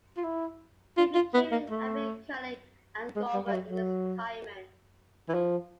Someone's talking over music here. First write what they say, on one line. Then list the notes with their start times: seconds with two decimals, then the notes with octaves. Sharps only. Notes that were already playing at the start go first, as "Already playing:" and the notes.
He became an avid curler and golfer in his retirement.
0.17 F4
0.24 E4
0.98 F4
1.15 F4
1.34 B3
1.52 A#3
1.70 A3
3.16 G#3
3.34 G3
3.47 G3
3.53 F#3
3.70 F#3
5.29 E3
5.34 F3